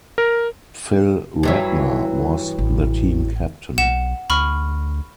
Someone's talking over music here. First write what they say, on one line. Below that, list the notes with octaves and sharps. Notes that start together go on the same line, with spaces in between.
Phil Ratner was the team captain.
A#4
G2 E3 F#3
A1
B1 F#5 E7
D2 B5 C#6 F6